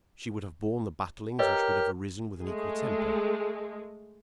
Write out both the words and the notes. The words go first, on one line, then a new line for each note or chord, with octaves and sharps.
She would have borne the battlings which would have arisen with an equal temper.
G4 A#4 B4 C#5 D#5
G#3 A3 G#4